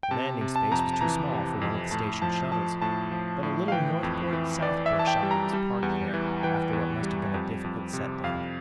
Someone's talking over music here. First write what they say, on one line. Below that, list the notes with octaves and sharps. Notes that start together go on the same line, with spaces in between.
The landing space was too small for one of the station shuttles, but a little Northport-Southport shuttle was parked there after what must have been a difficult set-down.
G5
C3 A5
C3
A5
F2 A#5
A5
A5
E3 A#5
C3
F2
A2 A5
F3 A5
F3 A5
A2 A5
F3
A2
F5
E3 G5
F2
E3
E3 D5
E5
E3
A5
G5
G3
A#5
G3
E2
E3
E3 G5
E2
G3
F2
F2
C3
F2 F5